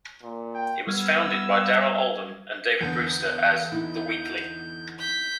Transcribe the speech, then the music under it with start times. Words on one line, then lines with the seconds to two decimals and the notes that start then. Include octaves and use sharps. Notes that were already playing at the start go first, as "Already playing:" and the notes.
It was founded by Darrell Oldham and David Brewster as "The Weekly".
0.22 A#2
0.55 G5
0.87 G3 B3 E6 F6 G#6
2.81 E2 D3 B3 G6
3.72 D#4 E4
4.99 G6 B6